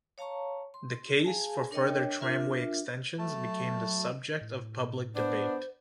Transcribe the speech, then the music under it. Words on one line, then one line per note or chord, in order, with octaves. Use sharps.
The case for further tramway extensions became the subject of public debate.
C#5 F5 A5 A#5 C#6
C6
G#4 F5 G#5 A5
D4 A#4 C#5 D#5 G5
D4 F4 A#4 E5
F#3 A3 A5
A2
B3 D4 C5